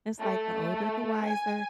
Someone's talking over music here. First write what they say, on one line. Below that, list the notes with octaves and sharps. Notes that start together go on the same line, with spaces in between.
It's like the older, the wiser,
A3
G#5